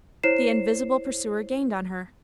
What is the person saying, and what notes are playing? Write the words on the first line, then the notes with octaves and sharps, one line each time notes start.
The invisible pursuer gained on her.
E4 C5 C#5 C7 E7